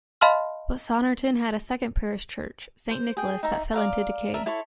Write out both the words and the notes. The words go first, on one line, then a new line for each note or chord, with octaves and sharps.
But Saunderton had a second parish church, Saint Nicholas, that fell into decay.
D#5 F5 A5 B5 C6 F6
C5
G#4 G5
D#4 E5 A#5
D5 F5 A#5
A#4 E5 A5
E4 A4 C#5 C6